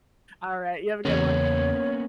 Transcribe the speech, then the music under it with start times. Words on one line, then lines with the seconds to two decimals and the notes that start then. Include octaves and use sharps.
alright, you have a good one.
1.05 E2 C#3 A#3 B3 C#4 C#5